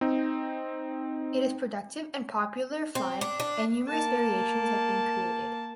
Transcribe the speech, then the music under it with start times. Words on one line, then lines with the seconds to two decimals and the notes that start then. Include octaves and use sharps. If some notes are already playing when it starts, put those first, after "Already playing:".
It is productive and popular fly and numerous variations have been created.
0.01 C4 D#4
2.95 C4
3.21 D4
3.40 D4
3.88 A#3 A5